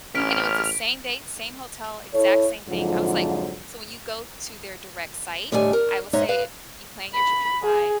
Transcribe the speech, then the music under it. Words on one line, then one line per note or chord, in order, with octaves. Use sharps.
And it was the same dates, same hotel, exact same thing. I was like so when you go to their direct site, I will say if you plan your trip to Dubai,
A1 C#4 F6 B6 D7
E4 A4 C#5
F2 G#2 D3 F3 F#3
A2 D3 D#3 G3 A3 G#5
A#4
G#2 D#4 C#5 D#5 E5
A2 B4 F5
B5
G#4